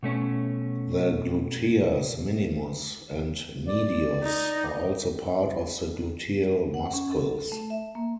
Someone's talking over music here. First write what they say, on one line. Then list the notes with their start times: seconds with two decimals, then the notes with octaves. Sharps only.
The "gluteas minimus" and "medius" are also part of the gluteal muscles.
0.03 B2 A3 C#4
3.68 D5
4.23 D#4
6.74 F#5
6.94 C#4
7.12 A4
7.52 A3
7.70 E5
7.95 A#3